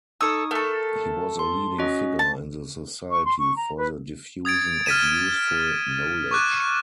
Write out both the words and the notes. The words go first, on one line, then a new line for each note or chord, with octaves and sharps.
He was a leading figure in the Society for the Diffusion of Useful Knowledge.
D#4 A4 C#6 D#6 E6
A3 A4 A#4
C6
C#4 F#4 D#5
A5
C#6
C6
C#6
A#5
B4
D#6 G#6 A6 D7
F6 A6 B6 D#7 E7
C#6 D6 F#6